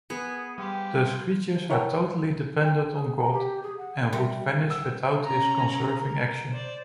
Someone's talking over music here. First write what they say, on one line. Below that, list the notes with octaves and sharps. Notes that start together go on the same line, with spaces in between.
Thus creatures are totally dependent on God and would vanish without his conserving action.
B3 G#4
G3 G4 C5 F5
E4 A#4 C#5 F#5 G5 A5
G5
G#4
A#5
G4
G#4
F#5
G3 A#4 E5 G5 C6 C#7
F#5 E6
C#4 A#5
A#4
C5 D5